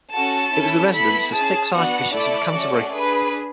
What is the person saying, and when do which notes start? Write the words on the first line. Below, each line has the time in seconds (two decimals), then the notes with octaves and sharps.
It was the residence for six Archbishops of Canterbury.
0.12 C#4 F#4 A4 A5
0.53 C#4 E4 A4
0.93 B3 E4 A4 B5
1.33 C#4 G#4 A5
1.73 B3 D4 F#4 F#5
2.13 A3 E4 A4 D5
2.53 A3 C#4 F#4 A4
2.94 D4 G#4 B4